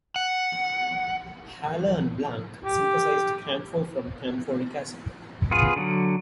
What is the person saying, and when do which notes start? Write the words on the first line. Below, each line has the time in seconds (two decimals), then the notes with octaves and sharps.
Haller and Blanc synthesized camphor from camphoric acid.
0.16 F#5
2.65 G4
5.51 B3 F4 G#4
5.76 D3 F#3